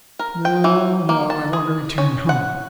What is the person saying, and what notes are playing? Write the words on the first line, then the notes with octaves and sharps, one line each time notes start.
"No, no. I want to return home."
A#4
G5
E3
A#3
A5
G#4
C#4
F#5